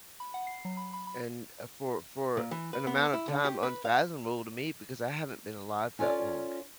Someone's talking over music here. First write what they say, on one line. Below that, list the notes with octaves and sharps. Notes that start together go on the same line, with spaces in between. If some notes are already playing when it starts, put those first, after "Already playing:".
and, uh, for for an amount of time unfathomable to me because I haven't been alive that long,
B5
F#5
C7
F#3
B5
B5
B5
A#2
E3
B4
B3
E4
D3
G4
B4
F5
C#4 F4 A4 C#5 D5